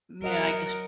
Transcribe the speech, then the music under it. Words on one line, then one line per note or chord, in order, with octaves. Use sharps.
Yeah, I guess.
F#3 A#4 D#5 F#5